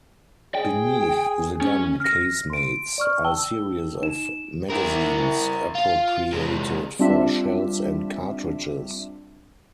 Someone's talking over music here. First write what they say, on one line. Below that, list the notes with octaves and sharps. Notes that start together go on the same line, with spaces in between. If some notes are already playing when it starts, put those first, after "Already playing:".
Beneath the gun casemates are a series of magazines appropriated for shells and cartridges.
G#4 G5
C#4
F6 A#6
C6 D7
D5 C#6 F6
G5 A5 E6 G7
D#4 E7
E4 A#4
F4
C3 G#3
G3 C4 D4 F4 E5